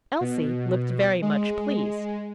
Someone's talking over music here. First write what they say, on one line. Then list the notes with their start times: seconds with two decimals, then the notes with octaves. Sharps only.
Elsie looked very much pleased.
0.21 B2
1.22 G#3